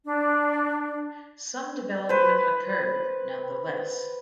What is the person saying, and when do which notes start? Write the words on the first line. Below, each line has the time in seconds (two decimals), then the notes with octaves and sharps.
Some development occurred nonetheless.
0.04 D4
2.09 B4 C5